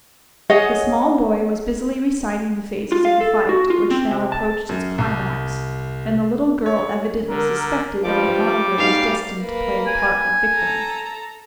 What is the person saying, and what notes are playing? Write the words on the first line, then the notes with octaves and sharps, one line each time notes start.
The small boy was busily reciting the phases of the fight, which now approached its climax, and the little girl evidently suspected that her monitor was destined to play the part of victim.
G#4 C#5 D#5 F#5
F4
F5
A4
F#4
F4
C4
C3
A5
F#2
C2
C#5
D3 A#4
G2 F3 G3 D6
B1 G#2 F5
A#3 B4
G#5
A4 A#5